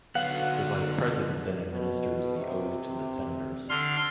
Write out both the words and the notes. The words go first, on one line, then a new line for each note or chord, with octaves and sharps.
The Vice President then administers the oath to the Senators.
D3 F#3 B3 F5 F#5
B2
C3
D3 C6 F6